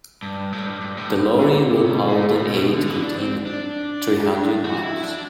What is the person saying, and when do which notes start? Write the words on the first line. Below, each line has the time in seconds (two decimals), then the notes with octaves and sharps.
The lorry will haul the aid container three hundred miles.
0.23 G2
0.52 A2
0.66 G2
0.81 G2
0.97 A2
1.40 D3
1.70 C3
1.90 B2
2.09 A2
2.29 A2
2.48 B2
2.68 D3
2.87 E3
3.03 D4
3.17 C4
3.46 D4
4.64 F#4
4.83 E4
5.03 D4